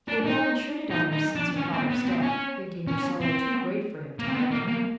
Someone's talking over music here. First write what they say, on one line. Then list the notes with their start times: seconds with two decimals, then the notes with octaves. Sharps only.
He had not intruded on her since her father's death, thinking her sorrow too great for him to meddle with.
0.08 D4
0.26 D#4
0.91 D#4
1.13 D#4
1.35 D4
1.57 C#4
1.73 C4
1.90 B3
2.06 C4
2.22 C#4
2.87 C#4
3.21 C4
4.19 A#3
4.28 C4
4.35 B3
4.51 A#3
4.68 A#3